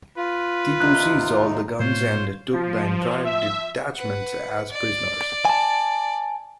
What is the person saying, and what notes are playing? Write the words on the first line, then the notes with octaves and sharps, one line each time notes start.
Tipu seized all the guns and took the entire detachment as prisoners.
F4 B4
D#2 C3 D#4 F#6
A2 F4 C5 C#5
F3
E5
B4 F#5
D5
G#5 A5